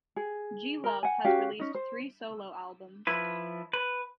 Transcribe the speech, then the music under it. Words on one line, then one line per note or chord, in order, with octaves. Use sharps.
G. Love has released three solo albums.
G#4
A#4 A#5
F#5 G#5
C#4 F#4 G4 F5
C#4 D#4
C5
F3 E4 B4
B4